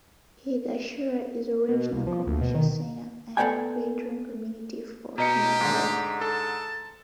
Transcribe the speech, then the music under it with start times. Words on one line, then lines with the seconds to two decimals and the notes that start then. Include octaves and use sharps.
Higashiura is a regional commercial center and a bedroom community for Nagoya.
1.68 B2
1.93 C2
2.07 F3
2.27 D2
2.41 B2
2.55 D#3
3.37 B3 A4 C5 D5 G5 G#5
5.18 B2 G4 D#5 A#5 C#7
5.61 G#2 D3
6.21 A4 A5